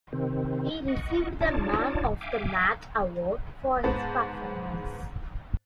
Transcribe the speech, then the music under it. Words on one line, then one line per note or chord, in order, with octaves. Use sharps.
He received the man of the match award for his performance.
C3 D#3 C4
D#5 F#5 C#6
D4 D#4 F4 C#5 D5 A5
E5 F5 G5 G#5 D6
G#2 B3 C5 A5 A6